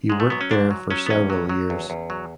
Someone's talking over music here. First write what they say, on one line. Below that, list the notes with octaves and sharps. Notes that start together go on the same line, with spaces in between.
He worked there for several years.
G#2 G#3
A3
F#3 B3
C#4
G#2 D4
F#3
F#3 C#4
B3
E2 C#4
F#3
F#3
E2
E2
F#3